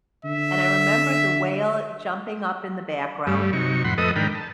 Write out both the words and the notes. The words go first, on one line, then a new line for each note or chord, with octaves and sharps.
and I remember the whale jumping up in the background
D3 E5
G2 G3 A3
C3 F#3 D#4 C#6
F2 A2 F#5 B5 C6
F2 A3 A4 B4 D#5 D#6
G#2 D#3 D4 A#4 G5 B5
A5